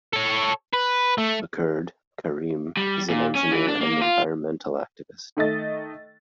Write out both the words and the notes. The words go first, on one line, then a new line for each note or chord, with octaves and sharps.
A Kurd, Karim is an engineer and environmental activist.
A4 C#5
B4
A3
G3
A#2
C#4
E3
D4
A#3
F4
D#3 A3 D#5 A6